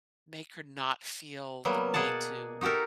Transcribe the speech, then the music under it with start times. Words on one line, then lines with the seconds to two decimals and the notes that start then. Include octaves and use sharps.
make her not feel the need to
1.65 F#3 G3 A#3 B3
1.94 B2 A#3 G#4 D5 F#5 A5
2.61 D#4 F#4 G4 A4 A#4